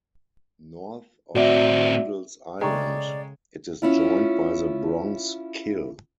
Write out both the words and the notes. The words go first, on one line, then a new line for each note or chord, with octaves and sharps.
North of Randalls Island, it is joined by the Bronx Kill.
A2 C4 F#4 D5 E5
C#3 G#3 A3 D5 G5 A#5 C#6
C#4 E4 F4